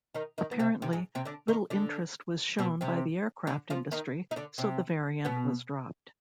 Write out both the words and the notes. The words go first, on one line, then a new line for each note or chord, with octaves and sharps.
Apparently, little interest was shown by the aircraft industry, so the variant was dropped.
D#3 D#4
D#3 D#4
B3
C3 C4
C3 C4
G#2 G#3
C3 C4
D3 D4
D#3 D#4
D3 D4
B2 B3
C3 C4
D3 D4
F3 F4
D#3 D#4
D#4
D3 D4
C3 C4
B2 B3